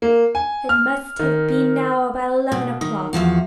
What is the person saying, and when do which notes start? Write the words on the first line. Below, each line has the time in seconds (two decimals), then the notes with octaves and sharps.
It must have been now about eleven o'clock.
0.02 A#3
0.35 G#5
0.69 F6
1.19 D#3
2.52 B2
2.81 D#3
3.13 E2 G2 F3 F#4